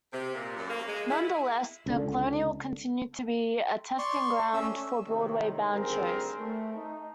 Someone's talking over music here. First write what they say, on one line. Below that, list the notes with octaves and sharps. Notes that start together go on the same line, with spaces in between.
Nonetheless, the Colonial continued to be a testing ground for Broadway-bound shows.
C3
A#2
F#2
A#3
G#3
E4
C#2 D3
D5 C6 C#6
A3 C#4 E6
A2 C3 D#3
G#1 D2 G3 C4 G#4 A#4
A3
D#4